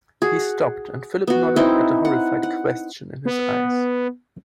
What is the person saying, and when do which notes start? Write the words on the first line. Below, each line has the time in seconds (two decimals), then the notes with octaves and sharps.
He stopped, and Philip nodded at the horrified question in his eyes.
0.22 F#4 G#4
1.27 B3 F#4
1.56 C4 D#4 E4
2.05 F#5
2.43 F#5
3.26 B3